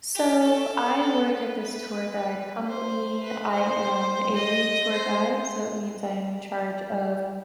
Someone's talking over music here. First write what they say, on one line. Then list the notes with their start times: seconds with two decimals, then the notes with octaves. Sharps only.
So, I work at this tour guide company. I am a lead tour guide, so it means I am in charge of
0.15 G4
0.42 A4
0.99 A4
1.27 B4
2.68 C5
3.23 B4
3.52 C5
4.36 D#5
4.92 C5